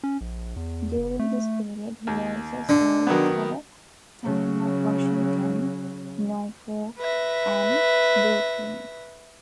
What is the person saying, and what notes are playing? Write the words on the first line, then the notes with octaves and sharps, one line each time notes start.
During this period he also served for a time at Washington, Norfolk and Brooklyn.
C#4
A#1
E2
F#1
A3
D#2
D3
D#3 F#3 B3
C#3 F#3
B4 E5 A#6